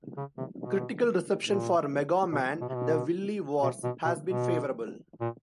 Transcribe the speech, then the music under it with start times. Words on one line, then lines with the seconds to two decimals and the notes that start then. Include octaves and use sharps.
Critical reception for "Mega Man: The Wily Wars" has been favorable.
0.17 C#3
0.38 C3
0.60 B2
1.46 A#2
2.32 B2
2.61 B2
2.69 C3
2.76 B2
3.62 B2
3.84 B2
4.05 B2
4.27 B2
5.21 A#2